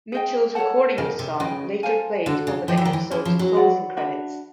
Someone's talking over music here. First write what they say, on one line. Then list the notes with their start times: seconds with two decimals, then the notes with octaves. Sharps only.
Mitchell's recording of the song later played over the episode's closing credits.
0.12 G#4 C5 D#5 G5
0.55 A4 C#5 F#5 A5
0.97 C#3 G4 A#4 D#5
1.19 C3
1.40 C#3 B4 D#5 G5
1.83 A4 C5 F5 G#5
2.26 D3 D4 F#4 A4
2.47 C#3
2.68 F3 G4 C5 D#5 G5
2.77 E3
2.85 D#3
2.93 E3
3.11 F3 C#4 E4 G#4
3.25 F3
3.39 F#3
3.54 F#4 B4 D5 F#5
3.97 D4 F#4 B4 E5